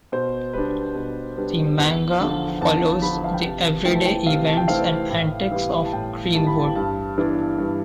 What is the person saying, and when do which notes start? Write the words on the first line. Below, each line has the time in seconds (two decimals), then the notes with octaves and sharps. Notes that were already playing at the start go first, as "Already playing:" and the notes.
The manga follows the everyday events and antics of Greenwood.
0.12 B2 C5
0.53 G3 B3 D4 B4
0.95 B2
1.37 G3 B3 D4
1.78 E2
2.20 D3 F3
2.61 E2 A5
3.02 D3 F3 B5
3.24 F5
3.34 G5
3.44 C3 A5
3.85 E3 A3 C4 G5
3.95 A5
4.05 G5
4.26 C3 F5
4.46 A5
4.57 G5
4.68 E3 A3 C4 F5
5.10 A2
5.51 E3 G3 B3
5.85 A5
5.93 A2 G5
6.35 E3 G3 B3 A5
6.47 B5
6.59 A5
6.75 G2 A5
7.17 E3 B3 D4
7.58 G2